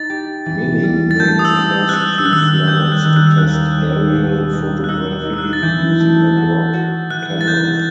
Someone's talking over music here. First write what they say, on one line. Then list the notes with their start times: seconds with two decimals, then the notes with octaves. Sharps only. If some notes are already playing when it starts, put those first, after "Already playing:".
Milling made the first two flights to test aerial photography using a Brock camera.
Already playing: D#4 A6
0.10 G4
0.46 E3
0.83 G3
1.11 A6
1.19 A3 G6
1.39 D#6
1.45 E6
1.56 C4
1.89 F#6
1.93 C4 E6
2.18 E6
2.26 F#6
2.30 D#3 E6
2.43 F#6
2.68 G3 G6
2.92 F#6
3.05 D#3
3.16 F#6
3.27 E6
3.38 D#2 F#6
3.78 G3
4.15 B2
4.53 D#4
4.84 F#6
4.89 D#4 E6
5.25 D#4
5.34 E6
5.38 F#6
5.53 A6
5.62 E3 G6
6.00 A3
6.37 F#4
6.74 F#4
7.10 E3 F#6
7.41 A6
7.48 D#4 G6